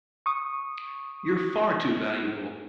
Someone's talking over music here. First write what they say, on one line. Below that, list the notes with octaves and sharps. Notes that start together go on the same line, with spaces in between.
You're far too valuable!
C#6 D#6